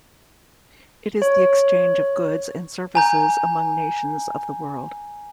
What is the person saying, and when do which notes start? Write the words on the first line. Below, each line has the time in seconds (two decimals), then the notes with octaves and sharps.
It is the exchange of goods and services among nations of the world.
1.22 C#5
2.95 G#5 A#5 G6